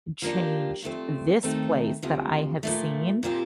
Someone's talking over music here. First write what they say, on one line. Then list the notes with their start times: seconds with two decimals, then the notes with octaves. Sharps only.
changed this place that I have seen.
0.22 F3 A#3 D4 G4
0.82 G2 F3 A3 C4
1.43 D#3 A3 C4 D#4 A4
2.02 D2 C3 F3
2.63 A#2 F3 A3
3.23 A#2 F3 C4 G4